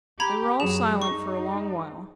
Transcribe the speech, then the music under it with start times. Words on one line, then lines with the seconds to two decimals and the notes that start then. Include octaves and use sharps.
They were all silent for a long while.
0.20 G4 A#5 B5 G#6
0.60 F#2 F#3 G#4 E7
1.02 D#4 C#6